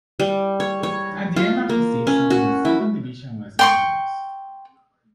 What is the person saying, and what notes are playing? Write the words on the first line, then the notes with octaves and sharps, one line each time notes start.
At the end of the season the second division was introduced.
G3
C#5
C#5
F4
A#3
C#4
F#4
E4
G5 C6 C#6